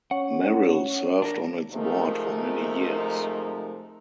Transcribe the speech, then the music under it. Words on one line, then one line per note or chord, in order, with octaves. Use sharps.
Merrill served on its board for many years.
C#4 C#5 F#5
D4 A#4
C3 F3 G#3 A3 D#4 A#4